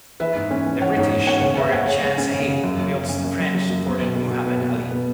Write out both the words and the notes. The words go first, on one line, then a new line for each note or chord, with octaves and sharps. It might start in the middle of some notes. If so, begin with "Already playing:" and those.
The British supported Chand Sahib, whilst the French supported Muhammed Ali.
E3 B4 E5
G#2
C#4
E3
E3 C#5 F#5
G#2 C#5
G#2 C#5
C#4 C#5 F#5
C#3 C#5
C#3 B4 E5
G#3 C#5 F#5
G#3 C#5
G#3 C#5
C#4
C#3
C#3
F#2
F#2
F#2
C#4
F#2
F#2
F#2
F#2
B3
B2
B2
B2
B3 B4
B2
B2
B3